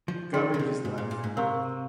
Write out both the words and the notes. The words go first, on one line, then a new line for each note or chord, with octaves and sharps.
Garbage is life.
F3
D#3 G#4 D#5 G5 C6
C#3
C3
G#2
A#2
A#2
G#2
C3 A#4 F5 A#5 C#6